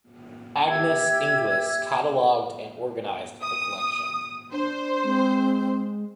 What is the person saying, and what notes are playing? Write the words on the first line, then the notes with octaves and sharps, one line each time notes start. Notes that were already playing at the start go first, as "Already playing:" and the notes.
Agnes Inglis cataloged and organized the collection.
G4 E5 E6 G#6
D#6
D4 C5
G#3 C4